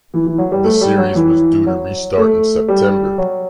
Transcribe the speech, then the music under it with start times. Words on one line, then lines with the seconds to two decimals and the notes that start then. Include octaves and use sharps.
The series was due to restart in September.
0.14 E3
0.26 E3
0.38 F#3
0.52 G3
0.64 A3
0.81 G3
0.98 F#3
1.15 E3
1.67 F#3
2.17 A3
2.68 G3
3.18 F#3